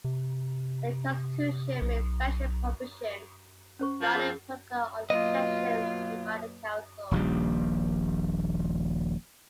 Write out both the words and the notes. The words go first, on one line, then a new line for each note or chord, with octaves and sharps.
The Constitution made special provision regarding particular objections made by the Council.
C3
B1
C#4 C5 C#6
F3
F4 G#4 A#4
B2 F#3 A#3 F4 D#5
D#1 A#1 G3